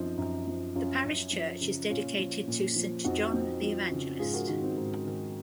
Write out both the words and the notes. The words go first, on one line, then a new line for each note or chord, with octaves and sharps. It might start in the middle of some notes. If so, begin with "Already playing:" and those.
The Parish Church is dedicated to Saint John the Evangelist.
Already playing: F#2 F3 C4 D#4
F#2
F3
F#2 C#4 F4
F#2
F3
C#3
A#2 C#4 F4
F3
A#2
F3
F2 D#4 F#4
F2
F3
C#3
G#2 F4 G#4
F#4 A#4
D#3 D#4 F#4
C4 D#4
G#2
D#3